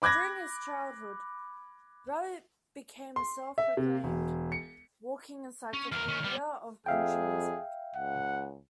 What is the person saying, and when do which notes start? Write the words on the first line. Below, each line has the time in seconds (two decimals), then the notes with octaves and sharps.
During his childhood Rabbitt became a self-proclaimed "walking encyclopedia of country music".
0.02 B5 D6 F#6 G#6 A#6
3.16 C6
3.58 E5
3.77 C3
4.04 E1
4.52 C#7
5.73 C#4
5.92 E2 A#4 F6
6.08 D#3 C#4
6.24 G3 B3
6.86 F2 G#4 E5 F5 G5
7.95 C#2 F#5